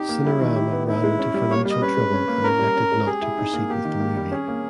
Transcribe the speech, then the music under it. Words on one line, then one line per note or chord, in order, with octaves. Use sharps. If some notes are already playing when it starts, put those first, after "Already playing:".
Cinerama ran into financial trouble and elected not to proceed with the movie.
Already playing: D#4 G4
A#3
G3 E4
D#3
G4
B3
D#4 E4
G#3
C#4
G3
A#3 C#5
G3
D#5
C#4 B4
G#3
C#4
A#3
C#4 A#4
G3
C#4
G#3
G4 G#4
E4
D#4
A#3
A#3 G4
D#3
A#3
G3
C#4 G#4
A#3